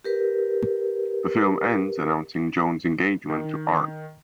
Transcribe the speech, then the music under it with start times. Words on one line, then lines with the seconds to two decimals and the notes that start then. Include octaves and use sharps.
The film ends announcing Joan's engagement to Art.
0.04 G4 A#4 B4
3.30 D#3